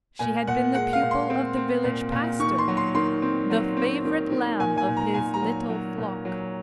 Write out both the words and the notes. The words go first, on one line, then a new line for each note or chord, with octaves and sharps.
She had been the pupil of the village pastor, the favorite lamb of his little flock.
A#2 G#5
A#2 F#5
G#3 F#5
F5
A#2
C6
C4
C4
A#2
A#2
D#3 C#6
C6
F#3
C6
D#3 C6
C4
F#3
C4
D#3
D#3
A#2 G#5
G#5
A#2
A#5
A#2 G#5
A#5
F#3
F#3
A#2
F#3